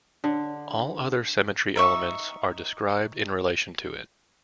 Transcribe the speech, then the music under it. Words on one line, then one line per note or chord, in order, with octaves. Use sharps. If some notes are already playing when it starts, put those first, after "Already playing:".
All other symmetry elements are described in relation to it.
D3
D#4 E5 C#6